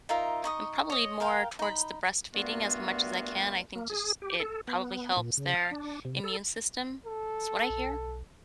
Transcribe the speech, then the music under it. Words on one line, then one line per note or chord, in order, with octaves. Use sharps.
and probably more towards the breastfeeding as much as I can. I think just it probably helps their immune system. It's what I hear.
D#4 F4 A#4 E5
D#4 C#6 D#6
C#5 D#5
A#4 F5 G5
D#4 B5
G2 A#2 A3 B3 F4 F#4
A#3
G#4
G4
A4
B3
A#2
C#3
F5
D4
C3
A4
A4
B1